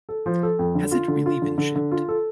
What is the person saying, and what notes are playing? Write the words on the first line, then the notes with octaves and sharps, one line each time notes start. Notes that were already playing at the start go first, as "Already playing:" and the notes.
Has it really been shipped?
A4
F3
A4
F2
D3
F4
D3
F4
D3
D3
D3
F4
A4